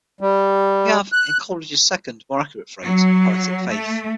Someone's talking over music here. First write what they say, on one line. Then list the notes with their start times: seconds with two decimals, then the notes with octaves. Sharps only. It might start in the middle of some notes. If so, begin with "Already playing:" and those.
We have, in Coleridge's second, more accurate phrase, "poetic faith".
0.21 G3
1.12 F#6
2.81 F#3
3.68 A3